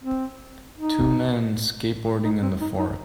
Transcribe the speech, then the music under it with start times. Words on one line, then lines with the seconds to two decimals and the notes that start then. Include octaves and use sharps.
Two men skateboarding in the forest.
0.03 C4
0.77 D#4
2.24 D#4
2.42 C4
2.61 D#4
2.79 D#4